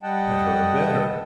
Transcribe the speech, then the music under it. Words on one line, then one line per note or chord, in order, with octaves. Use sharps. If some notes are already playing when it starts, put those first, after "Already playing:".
Better and better.
G3 D#5 F#5 G5 A5